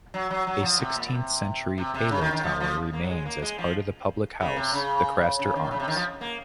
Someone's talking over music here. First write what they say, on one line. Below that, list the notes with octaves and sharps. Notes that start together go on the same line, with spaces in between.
A sixteenth-century pele tower remains as part of the public house, "The Craster Arms".
F#3
F#3
F#3
F3
C3
A#2
C3
C3
C3
C#3
D#3
D#3
F3
F3
A#3
F#3
G#3
A#3
G#3
F3
C#3
C3
C#3
C#3
D#3
C#3
C3
D#3
F3
A#3